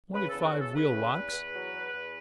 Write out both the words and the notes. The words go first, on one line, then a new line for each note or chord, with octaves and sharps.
Twenty-five wheel locks!
C#3 B4
E2 A4
F#4
C#3
A4
C#3 B4
E2
E2
E2
F#3
E2
E2